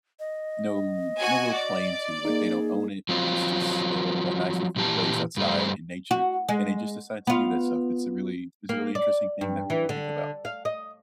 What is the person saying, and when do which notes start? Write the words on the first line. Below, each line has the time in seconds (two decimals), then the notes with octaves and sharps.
no no real claim to, like, they don't own it, it's just, uh, a nice looking place outside in nature, and they just decide to do that stuff, it's a really it's a really interesting thing that people think about.
0.19 D#5
1.18 F#4 G#5
1.54 D5
2.25 A#3 D#4 G#4
3.09 F3 F#3 C4 F4
4.76 A#2 E3 G4 A5
5.37 G2 G3 A3 C5
6.11 F#4
6.49 G#3
7.27 B3 F4
8.69 A#3
8.95 D5
9.41 G2
9.70 E3
9.89 D3
10.45 F5
10.65 D#5